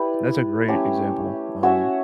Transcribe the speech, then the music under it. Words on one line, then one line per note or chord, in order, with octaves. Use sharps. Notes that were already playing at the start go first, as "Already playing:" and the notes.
That's a great example, um,
Already playing: E4 G4 B4 D5
A3 C#4 G4
C#4 F#4 C#5 E5